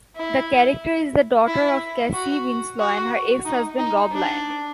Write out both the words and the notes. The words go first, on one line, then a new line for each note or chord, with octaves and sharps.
The character is the daughter of Cassie Winslow and her ex-husband, Rob Layne.
E4
E4
F#4
F#4
D#4
D#4
D4